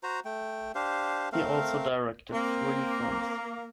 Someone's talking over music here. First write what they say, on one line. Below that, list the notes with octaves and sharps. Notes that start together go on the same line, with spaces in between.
He also directed three films.
F#4 C5 A#5
A3 G5
D4 G4 C5 F5
A3 C4 A#4 F5
A#3 C4